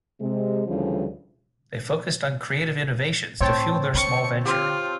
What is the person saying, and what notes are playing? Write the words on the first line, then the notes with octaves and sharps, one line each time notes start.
They focused on creative innovations to fuel their small venture.
C3 G#3
D2 C#3 E3 F3 G3
A2 C4 C#5 G5 A5
D3 C#6
C4 F4 G4